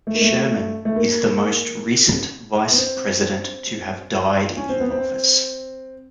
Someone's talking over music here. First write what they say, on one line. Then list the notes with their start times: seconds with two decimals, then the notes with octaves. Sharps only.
Sherman is the most recent Vice President to have died in office.
0.07 A3
0.15 A#3
0.22 A3
0.85 A3
0.96 A#3
2.71 B3
2.77 C4
4.57 C#4
4.69 C4
4.80 B3
4.91 C4